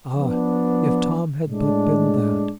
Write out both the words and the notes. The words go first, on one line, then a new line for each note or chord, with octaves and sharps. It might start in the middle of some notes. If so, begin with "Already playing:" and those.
Ah! if Tom had but been that!
F3 B3 D4
A2 G#3 D4